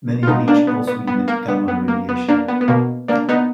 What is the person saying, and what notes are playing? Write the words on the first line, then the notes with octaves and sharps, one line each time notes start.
Many of each also emit gamma radiation.
F4
B2 B3 D#4
A#3 D4
B3
B3
B3
A#3
B3
B3
A#3
B3
A#3 D4
B3
B3
B2 A#3
A#3 D4
B3 D#4